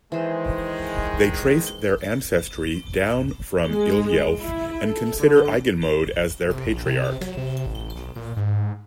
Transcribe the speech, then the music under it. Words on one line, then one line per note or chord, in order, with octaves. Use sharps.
They trace their ancestry down from Ile-Ife and consider Iganmode as their patriarch.
D#3 E3 G#3 C5
G#3
E4
A4
D3
C3
A#1
C3
F#3
C3
A1
B1
A#2
G#2